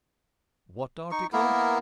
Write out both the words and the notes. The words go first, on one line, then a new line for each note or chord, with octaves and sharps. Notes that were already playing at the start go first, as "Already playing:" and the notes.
"What article?"
D#4 C#6
A#3 B3 E4 A#4